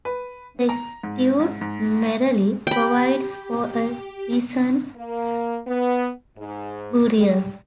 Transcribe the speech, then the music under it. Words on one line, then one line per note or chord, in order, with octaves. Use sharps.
The statute merely provides for a decent burial.
B4
A#5
G#2
G#2
G#2
G4 G5 B5
A#3
B3
G#2
G3